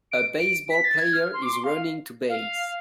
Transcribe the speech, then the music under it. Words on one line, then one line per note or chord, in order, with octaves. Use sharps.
A baseball player is running to base.
D7
D7
B6
A6
G#6
F6
C6
D6
C6
F5
F5